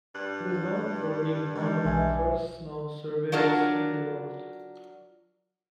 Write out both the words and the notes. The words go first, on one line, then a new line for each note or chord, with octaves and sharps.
He was known for being one of the first snow surveyors in the world.
G2 F#6
G2 E3 G#3
B1 E5 G#5
F#3 D4 F4 A#4